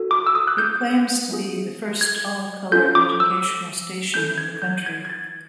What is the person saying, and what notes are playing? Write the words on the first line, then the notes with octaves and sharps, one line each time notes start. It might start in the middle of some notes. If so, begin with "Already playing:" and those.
It claims to be the first all-color educational station in the country.
Already playing: F#4 A4
D6
E6
D#6
F#6
G6
A3 C#4 F4 G#4
G#6
C#4 F4 A4 G6
D6
E6
C#4 E4 A4 G6
G#6
G6
G#6
G#6
A6